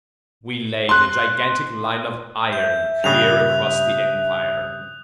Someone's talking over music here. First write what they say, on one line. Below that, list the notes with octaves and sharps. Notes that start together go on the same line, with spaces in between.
We laid a gigantic line of iron clear across the empire.
C6 F#6
E5 G6
G2 C#3 D#6 F#6 F7